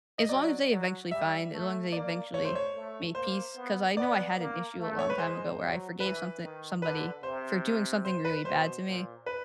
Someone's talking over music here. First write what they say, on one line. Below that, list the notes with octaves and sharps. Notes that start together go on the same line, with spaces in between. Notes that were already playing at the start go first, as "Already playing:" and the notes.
as long as they eventually find as long as they eventually made peace 'cause I know I had an issue a long time ago, where I forgave something somebody for doing something really bad to me,
D#5
F#3 D5
F#3
G3 E5
A3
A#3 D5
A3 C#5
C5
C#5
A3
A#3 C5
B3
B3 D5
A#3
A3
C#5
B4
G#3 C5
F#3
E3 B4
D#3
D3 B4
C3 C5
C5
B4
B2 C5
A#2
B4